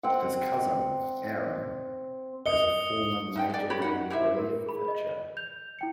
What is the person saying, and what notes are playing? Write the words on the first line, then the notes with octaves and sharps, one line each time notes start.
His cousin, Aaron, is a former major league relief pitcher.
C4 F#5
D#5 D#6 C#7 G7
D#4 F#5 G5
G#4 D5
F#4 G4 C#5 B5
D#4 F#5
E4 G4 C5 E5
A#4
G#4 B5
D#5
G6 F7
E4 G5 C#7